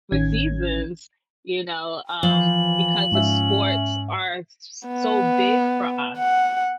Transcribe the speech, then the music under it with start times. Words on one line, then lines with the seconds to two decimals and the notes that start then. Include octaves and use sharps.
for seasons, you know, um, because the sports are s s so big for us,
0.12 A1 D#3 C#4 G#6
2.23 E3 F3 C5 F#7
3.12 G#2 C#4 E5
4.88 B3
6.18 F#5